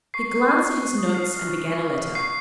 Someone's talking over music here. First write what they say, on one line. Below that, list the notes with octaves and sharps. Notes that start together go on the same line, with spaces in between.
He glanced at his notes and began a letter.
C#6 C7
C#6
C#6
F#6
F#6
D#6
F6 C7
F6
C#6
C#6
F6
F6
C#6 C7